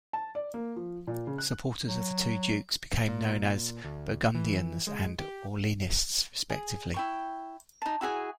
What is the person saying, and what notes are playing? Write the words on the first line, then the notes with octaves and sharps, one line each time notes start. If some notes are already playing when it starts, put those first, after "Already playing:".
Supporters of the two dukes became known as "Burgundians" and "Orleanists", respectively.
A5
D5
A#3
F3
A#2
C#3
F#6
F#3
A#2
D2
E3
G#3
G4
G#4
E4 G5 C#6
D#4 A5
E4 F#4 G#4 G#5